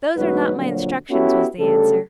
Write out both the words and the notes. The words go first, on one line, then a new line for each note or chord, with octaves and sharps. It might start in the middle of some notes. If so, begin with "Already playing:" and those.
'Those are not my instructions,' was the answer.
D2 G#2 B2 F#3 F#4 B4
A#2 D3 F3 F#3
B3 C#4 E4 F#4 G4 A4
D2 C#3 G3 A4